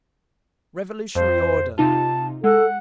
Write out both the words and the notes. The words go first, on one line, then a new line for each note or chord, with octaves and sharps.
Revolutionary order.
F2 C5
C3 D#4 F4 A5
G#3 A4 F#5